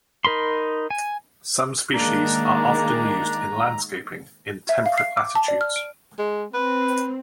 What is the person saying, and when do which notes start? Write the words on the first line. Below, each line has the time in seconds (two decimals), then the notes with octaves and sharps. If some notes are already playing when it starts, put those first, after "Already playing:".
Some species are often used in landscaping in temperate latitudes.
0.25 D#4 A#4 B5 C6
0.90 G#5
1.94 D#3 G#3 A#3 D4 A#5
4.69 E5
4.86 F5
4.98 C7
5.17 D6
5.35 A5
5.48 D5
5.61 F6
5.76 D7
6.19 G#3
6.54 C4 B4